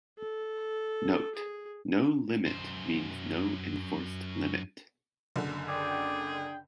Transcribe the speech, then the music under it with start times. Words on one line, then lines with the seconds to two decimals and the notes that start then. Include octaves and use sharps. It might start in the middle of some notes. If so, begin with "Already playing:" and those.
Note: No limit means no enforced limit.
0.19 A4
1.36 G#4
2.46 F#2 C5
5.36 F#1 F#2 D3
5.68 D4 G#4 D5 G5